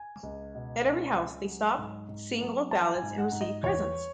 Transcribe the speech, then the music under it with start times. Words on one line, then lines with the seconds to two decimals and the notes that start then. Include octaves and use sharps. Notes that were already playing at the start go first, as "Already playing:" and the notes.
At every house they stop, sing old ballads, and receive presents.
Already playing: G#5
0.23 C#2
0.55 B2
0.86 C#2
1.16 C#2
1.47 F#3
1.78 G#2
2.09 G#2
2.41 F#3
2.71 F#3 A5
2.94 G#5
3.02 G#2
3.18 F#5
3.32 G#2
3.41 D#5
3.63 E2 C#5